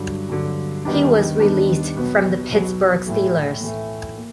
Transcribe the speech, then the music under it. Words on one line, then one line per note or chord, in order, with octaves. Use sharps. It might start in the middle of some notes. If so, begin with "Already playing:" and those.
He was released from the Pittsburgh Steelers.
Already playing: G2 D3 F#3
G2 D3 F#3
D#2 D#3 G3 B3 D4
D#2 D#3 G3 B3 D4
B1 B2 F#3 B3
B1 B2 F#3 B3
A2 E3 A3
A2 E3 A3
A#3